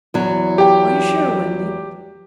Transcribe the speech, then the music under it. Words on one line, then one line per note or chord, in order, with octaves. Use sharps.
"Are you sure, Wendy?"
E2 F#3
G4 G5